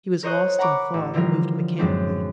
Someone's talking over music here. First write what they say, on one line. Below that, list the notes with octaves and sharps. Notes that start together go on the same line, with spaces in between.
He was lost in thought and moved mechanically.
A#4 C5 C#5 D#5 C#6 F#6
F#5 A#5 B5 C#6 D6
A1
D3 E3 F3 G3 F4 A#4
F#2 A2 F#3 G#3 C4 D4